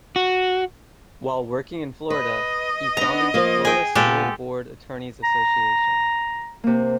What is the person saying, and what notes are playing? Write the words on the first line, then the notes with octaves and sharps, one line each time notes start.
While working in Florida, he founded the Florida School Board Attorney's Association.
F#4
B4 D#5
B3 D4 A#5
F3 A#3
G#4 G5
A#2 G#3 B3 G4 A4
A#5
C3 A#3